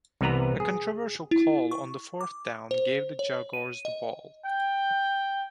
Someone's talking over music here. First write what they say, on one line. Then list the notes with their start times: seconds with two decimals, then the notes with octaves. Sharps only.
A controversial call on fourth down gave the Jaguars the ball.
0.21 C2 C3 E3 B3 B4 A#5
0.60 G#4
1.31 E4
1.71 C#6
2.21 D6
2.71 C5
3.19 C#5
3.53 D#7
3.85 D#5
4.45 G5